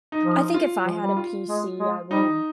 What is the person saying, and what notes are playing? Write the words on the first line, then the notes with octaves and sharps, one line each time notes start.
I think if I had a PC, I would
D#4
F3
F4
F3
G3
F4
G#3
G#3
G3 D#4